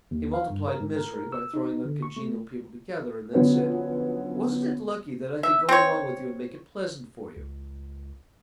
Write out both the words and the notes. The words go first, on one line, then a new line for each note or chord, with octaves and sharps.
He multiplied misery by throwing uncongenial people together and then said: 'Wasn't it lucky that I could go along with you and make it pleasant for you?'
D#2
F5
G2
A#4
G#2
A#4
A#4
E6
D#4
D3
C#6
A3
D3 F3 F#3 B3 C#4
E5
C4 C#5
C#2